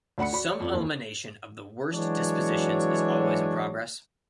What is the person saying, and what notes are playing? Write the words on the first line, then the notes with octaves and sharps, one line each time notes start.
Some elimination of the worst dispositions is always in progress.
D2 D5 F#5 B5 C#7
F#4 D5 B5
C#5 D5
F2 D5
D#2
E3 F#3 G#3 D4 F#4 C#5